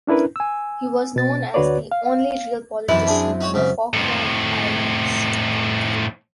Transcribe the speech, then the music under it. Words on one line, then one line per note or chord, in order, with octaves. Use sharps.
He was known as the "only real politician in the Falkland Islands".
C#4 D4 E4 A#4 B4
G#5 E6
B2 A6
D2 D3 F#4 B4 C#5 D5
F5
F#2 C3 E3 D#4 E4
D4 G#4
D#4 F#4 C#5
G#2 C#3
F2 A2